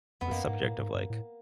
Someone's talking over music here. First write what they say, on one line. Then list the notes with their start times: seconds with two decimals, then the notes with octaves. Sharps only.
the subject of, like,
0.21 F2 B3
0.31 F#2 A#3
0.47 G#2
0.62 A2
0.78 G#2
0.94 G2
1.10 A2